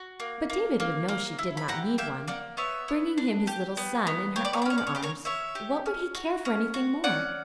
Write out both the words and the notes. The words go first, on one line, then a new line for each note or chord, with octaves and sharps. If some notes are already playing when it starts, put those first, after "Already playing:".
But David would know she did not need one; bringing him his little son in her own arms, what would he care for anything more?
Already playing: F#4
A#3
A#3
A#3
A#3
E4
B5
G4 F#5 A#5
A#3 E5 G5
A#3 D5 F#5
B3 C#5 E5
B3
D4
G4
B3
B3
G4 C#5
D5
C#5
D5
C#4 C#5
D5
C#5
G4 D5
A#4 C#5
C#4 C#5 E5
G4
C#4
F#4
C#4
F#4
C#4 D5 F#5